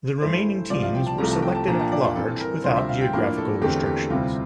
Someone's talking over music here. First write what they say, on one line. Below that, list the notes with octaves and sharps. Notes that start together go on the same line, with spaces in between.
The remaining teams were selected at-large without geographical restrictions.
G2 E3 A3 E4 C5
C2 C3 F3 D5
F5
G5
A5
C2 C3 F3 A3 A#5
A5
G5
A5
A#2 F3 A#3 D4 A#5
A5
D5
F4
G2 E3 G3 C4 A4
A#4
D2 C3 G3 D4 F4 C5
E5
F5
G5
A2 F3 A#3 D4 A#4
A4
E2 D3 A3 C4 G4
G4
D2 C3 G3 C4 E4 F4